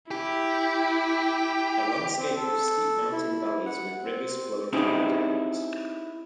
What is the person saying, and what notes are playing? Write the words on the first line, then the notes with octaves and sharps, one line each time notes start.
A Landscape of steep mountain valleys with rivers flowing through the canyons.
E4 G4
C4
A4
E4
F#5
C4
C4 C#4 D#4 E4 G4 G#4